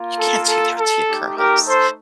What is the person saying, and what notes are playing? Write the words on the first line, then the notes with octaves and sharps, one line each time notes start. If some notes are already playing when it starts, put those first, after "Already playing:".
you can't do that to your girls.
Already playing: A#3 F4
A4
A4
A4
A3 D#4 G4
G4 A#4
A4 C5